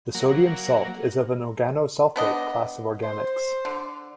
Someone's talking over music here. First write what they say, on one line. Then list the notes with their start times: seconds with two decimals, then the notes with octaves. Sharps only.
The sodium salt is of an organosulfate class of organics.
0.15 F#3 A#3
2.16 B3 D4 D#5
3.03 C5
3.65 D3